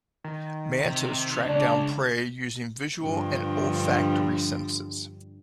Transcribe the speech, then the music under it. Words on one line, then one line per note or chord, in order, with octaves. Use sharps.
Mantas track down prey using visual and olfactory senses.
D#3
C3
C#2 C#3 D4
G2 D3 F3